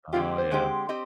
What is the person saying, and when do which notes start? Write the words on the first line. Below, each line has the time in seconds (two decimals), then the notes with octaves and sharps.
Oh, yeah.
0.13 D3 G#3 C4 F4 G4
0.38 C5
0.51 D3 G#3 C4 G4
0.89 C4 G4 C5 D#5